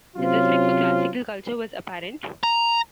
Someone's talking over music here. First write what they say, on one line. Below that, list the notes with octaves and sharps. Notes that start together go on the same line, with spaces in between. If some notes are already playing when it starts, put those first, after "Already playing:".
His respect for classical culture was apparent.
C3 F#3 C4 C#4 F4
A#5